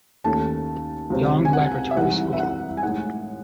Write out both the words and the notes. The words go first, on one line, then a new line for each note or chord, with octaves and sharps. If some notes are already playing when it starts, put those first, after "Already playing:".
Yonge Laboratory School.
D#2 D#3 A3 C#4 A5
C#2 C3 F#3 C4
G#5
F#5
E5
C2 C3 E3 G#3 D#4 F#5
E5
F#5
G#5
A2 G#3 D#4 F#5